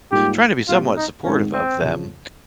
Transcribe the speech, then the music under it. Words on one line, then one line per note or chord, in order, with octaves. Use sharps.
trying to be somewhat supportive of them.
G#2 G3 A#3 F4 G4
A#2 G3 C4 F4 G4
D#4
G#2 D#3 G#3 C4 C#4
C4
F2 C#3 F3